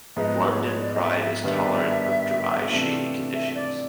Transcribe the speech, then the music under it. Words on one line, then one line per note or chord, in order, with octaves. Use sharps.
London Pride is tolerant of dry, shady conditions.
G#2 F3 G#3 B3 D#5 E5
C#5
D5
D#5
E5
E5
G2 D#3 G3 B3 D4 E5 F5
C3 E3 A3 D4 F4
E5
D5